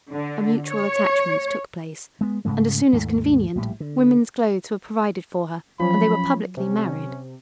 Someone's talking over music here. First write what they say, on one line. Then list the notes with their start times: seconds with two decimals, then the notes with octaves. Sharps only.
A mutual attachment took place, and, as soon as convenient, women's clothes were provided for her, and they were publicly married.
0.12 D3
0.68 C#5
2.21 G#3 B3
2.45 G#2 C#3 G#3 A3
2.93 D#2 G#2 G3 A3
3.55 A#1 A2 G3
3.80 D3
5.79 F3 F#3 C#4 B5
6.57 C3 C#4